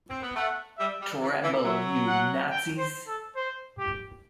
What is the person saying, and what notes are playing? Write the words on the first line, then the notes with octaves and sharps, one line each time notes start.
Tremble, you Nazis!
C4
B3
A3 F#5
G3 E5
G3
E3
E3
F#3 E5
F#5
G5
C5
A4
C5
G4